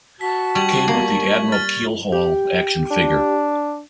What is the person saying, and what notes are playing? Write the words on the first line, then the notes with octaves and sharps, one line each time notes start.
It came with the "Admiral Keel Haul" action figure.
F#4 A5 B6
G3 C#6 G#6 F#7
A#3
F6 A6
G4
D4